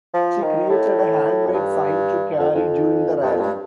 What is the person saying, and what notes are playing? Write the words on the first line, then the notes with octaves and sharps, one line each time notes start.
She created a handmade sign to carry during the rally.
F3
D#3
A2
F2
G2
F2
F2
G2
F2
G2